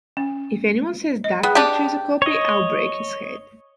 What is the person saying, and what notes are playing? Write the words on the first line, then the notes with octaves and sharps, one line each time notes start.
If anyone says that picture is a copy I'll break his head!
C#4
D#5
B3 G#4 G5
D4 G4
C#5 D#5